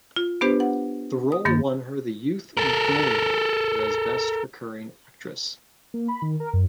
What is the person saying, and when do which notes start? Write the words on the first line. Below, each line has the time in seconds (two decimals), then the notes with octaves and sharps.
The role won her the Youth in Film Award for as best recurring actress.
0.16 F4
0.41 B3 D4 G4 B4 C5
0.60 F#5
1.32 D#6
1.45 G2 D#3 A#3 A6
2.57 A4 A#4
5.94 A#3
6.08 B5
6.22 D#3
6.40 A#4
6.53 F#2